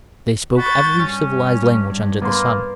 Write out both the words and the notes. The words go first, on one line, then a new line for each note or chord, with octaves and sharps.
They spoke every civilized language under the sun.
F#4 B5 G6 A6
G2 C#4
A#3 B3 C6